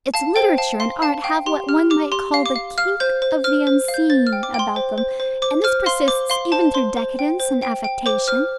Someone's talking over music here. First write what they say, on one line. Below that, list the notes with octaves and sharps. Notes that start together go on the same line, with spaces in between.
Its Literature and Art have what one might call the kink of the unseen about them, and this persists even through decadence and affectation.
F5 A5
C5 G5
F5 A5
F5 C6
F5 A5
F5 G5
G4 C6
G4 F6
G4 D6
G4 C6
F5
D6
F5
F5 F6
C5 G6
C5
C5 F6
C5
F5
G6
C5 A6
F6
G5
D6
G5
C6
C5
C5
C5
C5 D6
C5 F6
F5 C6
C5 D6
F5 C6
C5 A5
C5 C6
C5
G5
C5
G5
G5
C5 D6
C5 F6